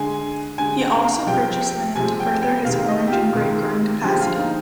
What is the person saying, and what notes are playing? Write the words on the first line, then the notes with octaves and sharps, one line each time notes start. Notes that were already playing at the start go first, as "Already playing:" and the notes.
He also purchased land to further his orange and grape growing capacity.
Already playing: D3 G#3 G#5
D3 G#3 G#5
G5
F5
C3 F3 G#3 G5
C3 F3 G#3 G#5
G5
G5
C3 D#3 G#3 F5
D#5
G4
F4
C3 D#3 G#3
D3 F3 G#3 G4
F4
D#4